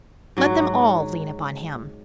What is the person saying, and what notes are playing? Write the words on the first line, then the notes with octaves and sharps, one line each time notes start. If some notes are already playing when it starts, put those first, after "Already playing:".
Let them all lean upon him.
G#2 F#3